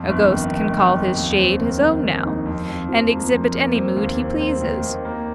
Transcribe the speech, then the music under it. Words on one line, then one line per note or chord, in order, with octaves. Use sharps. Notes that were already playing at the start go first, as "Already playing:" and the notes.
A ghost can call his shade his own now, and exhibit any mood he pleases.
Already playing: F2
G1
D#3
F2
D#3
F2
D#2
C4
D#3
D#3
D#2
D#4
F2
F2
F3
A#3
F2
A#3
C4
D#2
C4
C4
D#3
D#2
A#3